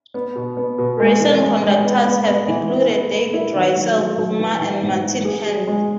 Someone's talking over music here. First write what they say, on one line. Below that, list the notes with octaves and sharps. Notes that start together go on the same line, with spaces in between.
Recent conductors have included David Russell Hulme and Martin Handley.
B3
B2
B3
B2
G#3
E3
G#3
G#3
B3
B3
B3
E3
E4
B3
B3
E4
D#3
F#3
F#3
F#3
E3
E3
G#2
E3
G#4
G#4
G#3